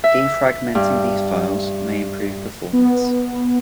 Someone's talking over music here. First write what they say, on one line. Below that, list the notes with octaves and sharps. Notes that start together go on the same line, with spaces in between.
Defragmenting these files may improve performance.
E5
G2
B3